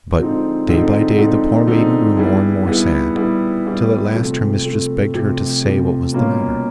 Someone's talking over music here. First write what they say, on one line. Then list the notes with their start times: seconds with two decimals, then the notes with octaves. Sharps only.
But day by day the poor maiden grew more and more sad, till at last her mistress begged her to say what was the matter.
0.19 D3 F3 G#3 C4 D#4
0.68 D3 F3 G#3 C4 D#4
1.18 D3 F3 G#3 C4 D#4
1.67 D3 F3 G#3 C4 D#4
2.17 G3 B3 E4 G#4
2.66 G3 B3 E4 G#4
3.15 G3 B3 E4 G#4
3.66 G3 B3 E4 G#4
4.15 C3 F3 A3
4.65 C3 F3 A3
5.14 C3 F3 A3
5.63 C3 F3 A3
6.13 B2 G3 A#3 C#4 F4